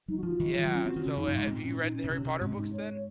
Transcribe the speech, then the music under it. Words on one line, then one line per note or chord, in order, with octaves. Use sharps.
Yeah. So, ha have you read the Harry Potter books then?
F#3 D#4
F#4
F3 F4
D#3
F3
F#3
C#4
C4 F#4
D#3 C#4
C#3
F2 D#4
F#2
G#2
A#2 C4
C#4
D#4
C#4
A#2
C3 C#4
C3 C#4
G#2 C4
D#4
C#5